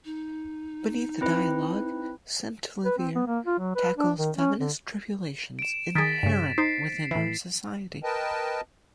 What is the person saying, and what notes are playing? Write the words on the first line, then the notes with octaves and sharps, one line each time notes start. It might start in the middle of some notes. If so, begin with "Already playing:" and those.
Beneath the dialogue Centlivre tackles feminist tribulations inherent within her society.
D#4
C4 E4 B4
B4
C4
B3
A#3
F4
F#3
B4
D4
D#3
C#4
D3
D7 E7
D#3 G#4 A6 B6 D7
G2 C#3
D#4 C5 C7
A2 E3
A#4 B4 D#5 G5 A5